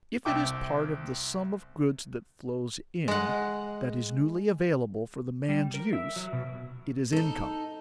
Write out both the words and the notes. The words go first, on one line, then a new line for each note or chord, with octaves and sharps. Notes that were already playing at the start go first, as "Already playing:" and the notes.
If it is part of the sum of goods that flows in, that is newly available for the man's use, it is income.
C2 E5 G5 D6
G#3 F#5
G3
A#4
E5
F#3
B2
D#4 A4